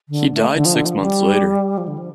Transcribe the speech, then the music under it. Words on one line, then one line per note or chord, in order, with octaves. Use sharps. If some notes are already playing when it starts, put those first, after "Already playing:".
He died six months later.
D3
A3
D3
F3
D3
F3
G3
F3
D3
F3